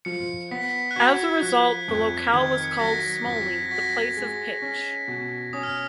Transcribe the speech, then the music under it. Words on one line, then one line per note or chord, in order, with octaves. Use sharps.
As a result, the locale was called "smolny" - the place of pitch.
F3 C#7
B3 B6
F#6
F#4 G#6
F3 F#6
F2 G#6
D#3 G#6
C#7
B6
F#3 A#6
F2 B6
B6
F#4 A#6
G#3
C#4
B2
C#4 D#6
F6